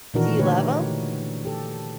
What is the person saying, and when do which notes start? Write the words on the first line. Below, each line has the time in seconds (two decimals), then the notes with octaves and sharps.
Do you love 'em?
0.14 A#2 D#3 E3 D4 F#4 A#4
0.39 D3 A3 D#4 G4 B4 C#5
1.45 G4 A4